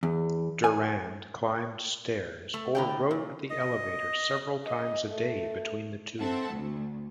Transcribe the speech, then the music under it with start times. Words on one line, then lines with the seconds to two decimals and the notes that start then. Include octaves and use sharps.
Durand climbed stairs or rode the elevator several times a day between the two.
0.03 E2
0.64 G#5
2.54 A3
2.75 A2 D3 G5
3.11 A#2
3.50 D#5
4.66 D#5
5.08 A3
6.20 C4 A4 E5 F#5 A5
6.52 D2